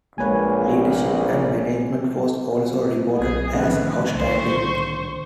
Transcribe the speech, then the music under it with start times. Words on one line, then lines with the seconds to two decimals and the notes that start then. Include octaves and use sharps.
Leadership and management was also reported as 'Outstanding'.
0.18 A#1 G#3 A#3 B4 C#5 G#5
3.19 B1 G#4
3.54 A2 D3 D#3 F3 A3 C#4 B4
4.15 C2 C5 C#6